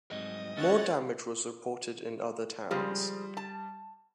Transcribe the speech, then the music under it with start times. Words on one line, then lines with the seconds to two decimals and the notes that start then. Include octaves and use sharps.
More damage was reported in other towns.
0.11 G#1 G#2 F#3 G3 D#5
0.56 A1 F2 C#4 C#5 E5 F#6 A6
2.71 C#3 F3 G3 G#3
3.37 A5